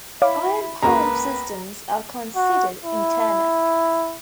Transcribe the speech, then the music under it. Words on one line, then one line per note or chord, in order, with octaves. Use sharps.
Iron Palm systems are considered internal.
E4 C#5 F5 D6
C#2 G#3 A#3 B4 A#5
F#4
E4